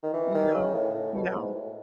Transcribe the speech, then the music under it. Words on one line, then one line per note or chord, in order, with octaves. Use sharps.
No, no.
D#3
E3
D#3
C#3
A2
A2
B2
G#2
A2